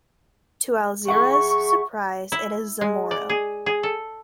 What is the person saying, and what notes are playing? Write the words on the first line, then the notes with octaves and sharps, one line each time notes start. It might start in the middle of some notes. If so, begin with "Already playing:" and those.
To Alzira's surprise it is Zamoro.
G#4 E5 F#5 C#6
E4
G#3
D5
G#4
G#4
A4